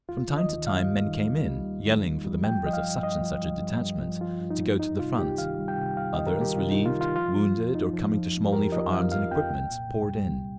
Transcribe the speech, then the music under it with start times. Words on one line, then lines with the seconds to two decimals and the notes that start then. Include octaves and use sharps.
From time to time men came in, yelling for the members of such and such a detachment, to go to the front; others, relieved, wounded, or coming to Smolny for arms and equipment, poured in....
0.09 D#2 F4
0.28 D#3
0.38 D#5
0.48 D#2
0.67 G3 F5
0.87 D#2
1.07 D#3
1.26 D#2
1.45 G3
1.65 D#2
1.86 D#3
2.05 D#2
2.25 G3
2.44 F3 G5
2.64 F3 D#5
2.73 F5
2.83 G2
3.03 G2 D#5
3.22 F3
3.43 F3
3.62 G2
3.82 G2
4.01 F3
4.21 F3 F4
4.41 G2
4.51 D#4
4.61 G2
4.79 G3 D#4
4.99 C3 F4
5.19 C2 G4
5.38 D#3 F5
5.59 G3
5.68 G5
5.78 C3
5.97 C2 F5
6.13 D#3 D#5
6.27 A#4
6.37 G3 G4
6.56 C3 F4
6.71 C2 D#4
6.86 F4
6.96 D#3
7.01 F4
7.15 F3 F4
7.35 F3
7.55 F2
7.74 F2 D#4
7.93 F3
8.13 F3
8.33 F2
8.46 G4
8.53 F2 A#4
8.72 F3 D#5
8.92 F3 F5
9.12 F2 F5
9.31 F2 G5
9.51 C2
9.70 A#2
9.90 C2
10.09 G3
10.30 C2